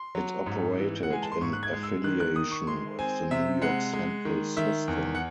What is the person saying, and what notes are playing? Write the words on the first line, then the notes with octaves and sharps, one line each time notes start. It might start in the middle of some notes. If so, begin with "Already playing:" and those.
It operated in affiliation with the New York Central system.
Already playing: C6
F#3
G#2
E3
F#5
G#3 G#5
A5
C6
G#2 C#6
F#6
G#6
G#3
E6
D#3 F#6
F#6
D#3 D#6
C#6
G#3 C6
C4 G#5
C3 E5
G#3 F#5
G#3
D#3
D#3 E5
E2
F#5